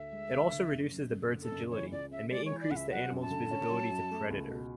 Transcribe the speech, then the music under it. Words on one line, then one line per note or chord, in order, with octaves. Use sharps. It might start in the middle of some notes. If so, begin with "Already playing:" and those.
It also reduces the bird's agility, and may increase the animal's visibility to predators.
Already playing: D2 E5
G#3
D2
D3
F#1
F#2
F#1
D3
A4
F#1
E3 C#5
C#2 D5
C#3 E5
G#3 D5
C#5
E3
D5
C#2 F#5
E5
F#3 F#5
F#2
A5
D3
C#4
F#3
F#2
A3
C#2
B2